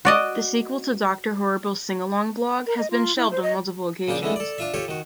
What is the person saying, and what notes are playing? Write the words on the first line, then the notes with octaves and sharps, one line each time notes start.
The sequel to "Doctor Horrible's Sing-Along Blog" has been shelved on multiple occasions.
F#4 D5 D#5
A#4
D#5
F4
E4
C5
D#5
C#3 A#3 D4 G5
D3 E3 G#3 A3
A4 D5
D4 F4 E5
F4 G4 A4 C#5
D#3 F#4